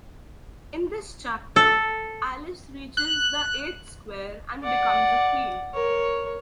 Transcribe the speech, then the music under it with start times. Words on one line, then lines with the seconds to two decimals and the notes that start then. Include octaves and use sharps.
In this chapter, Alice reaches the eighth square and becomes Queen.
1.56 A4
2.97 F#6
4.63 D5 F#5
5.73 A#4 C#5